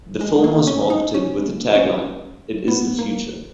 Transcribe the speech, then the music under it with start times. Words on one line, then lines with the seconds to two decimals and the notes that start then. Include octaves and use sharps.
The film was marketed with the tagline It is the future.
0.21 G#3
0.44 A#3
0.67 C#4
0.90 D#4
1.14 C#4
1.39 G#3
1.45 A#3
1.75 C#4
2.68 B3
2.99 A#3